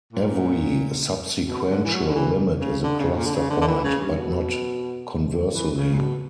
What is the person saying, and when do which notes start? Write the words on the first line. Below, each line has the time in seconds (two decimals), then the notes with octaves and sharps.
Every subsequential limit is a cluster point, but not conversely.
0.13 A#2
1.47 B2
1.70 D3
1.84 E3
1.93 F#3
2.08 D3
2.16 E3
2.61 C#3
2.84 D3
2.99 C#3
3.11 G2
3.16 A#2
3.26 D3
3.34 C#3
3.50 D3
3.61 D3
3.67 E3
3.84 C#3
4.01 G2
4.18 B2
5.54 E3
5.77 C#3
5.94 A#2
5.99 B2